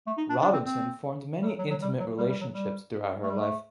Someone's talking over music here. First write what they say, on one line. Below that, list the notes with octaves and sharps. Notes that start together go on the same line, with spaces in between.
Robinson formed many intimate relationships throughout her life.
A3
D#4
D4
D4
C4
C4
G3
F#3
F#3
F#3
G3
F#3
G3
G3
F#3
G3
A3
G3
A3